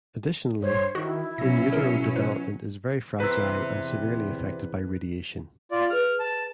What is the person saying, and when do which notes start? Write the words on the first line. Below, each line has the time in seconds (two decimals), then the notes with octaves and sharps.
Additionally, in-utero development is very fragile and severely effected by radiation.
0.62 G2 C5 C#5
0.95 D#3 E4 F#4
1.38 B2 F#3 C#4 A#6
1.73 G#4 A#4
2.16 B4
3.20 E2 C3 B4 A#5 E6
5.71 F4 D5
5.90 G#4 B4 F6
6.20 A5